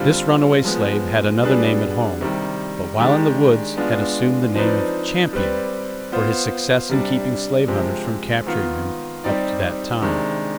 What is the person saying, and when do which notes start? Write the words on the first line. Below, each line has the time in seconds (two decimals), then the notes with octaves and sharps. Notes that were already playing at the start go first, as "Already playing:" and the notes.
This runaway slave had another name at home, but while in the woods had assumed the name of Champion, for his success in keeping slave hunters from capturing him up to that time.
Already playing: D3 G3 C4 F4
0.65 F3 G#3 B3
1.43 B2 G3 D4 G#4 B4
2.21 C3 D#3 G3
2.99 D#3 G#3 D4 G4 D5
3.77 G#3 B3 D4 F4
4.56 F3 C4 D#4 B4 D5
5.33 G3 C4 G4 B4 D5
6.12 B3 F4 C5
6.89 C3 G3 D4
7.68 C3 F3 G#3 C4 G4
8.46 D#3 B3 F4
9.24 G3 C4 D#4 G4 D5
10.02 C3 D#3 G#3 D4